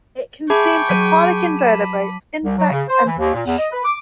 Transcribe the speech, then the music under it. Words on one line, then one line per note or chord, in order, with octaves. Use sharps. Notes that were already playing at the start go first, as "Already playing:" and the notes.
It consumes aquatic invertebrates, insects, and fish.
G#4 E5 G5 A5 B5 C#6 D6
F#3 B6 D#7
B5 E7
C2
F#3
C#3
C5
E3
D#2
A#2
E2
D#5
B4
D6